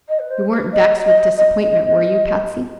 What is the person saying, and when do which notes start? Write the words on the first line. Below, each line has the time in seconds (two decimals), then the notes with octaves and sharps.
"You weren't vexed with disappointment, were you, Patsy?"
0.08 D#5
0.19 B4
0.30 C5
0.51 B4
0.72 D#5
1.05 D#5
1.38 D#5
1.70 D#5